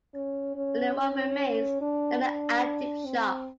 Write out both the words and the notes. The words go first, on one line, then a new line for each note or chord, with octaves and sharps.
Only one remains, now an antique shop.
C#4
C#4
C#4
D4
D4
C4